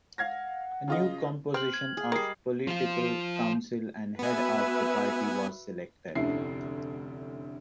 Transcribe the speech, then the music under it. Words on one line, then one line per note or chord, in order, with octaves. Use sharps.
The new composition of the Political Council and Head of the Party was selected.
F5 F#5 G#6 A#6
C#3 F4 D#5
C4 F6 F#7
G#6
G#4
G3 G#3 A#4 D#5 D#6 C7
F3 F4
B3 F#4 B4 E5 G#5
F1 D2 D3 C#4 E4 C7